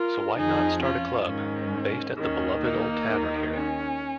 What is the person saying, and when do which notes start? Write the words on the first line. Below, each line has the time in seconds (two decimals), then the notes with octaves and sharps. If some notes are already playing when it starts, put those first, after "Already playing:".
So why not start a club, based at the beloved old tavern here.
Already playing: F4 A#4
0.36 F2 F3 D#4 G#4
0.82 C#4 F4
1.26 G#2 D#3 C#4
2.17 D#2 D#3 C#4
2.62 A#3 D#4
3.07 D#2 D#3
3.52 C#4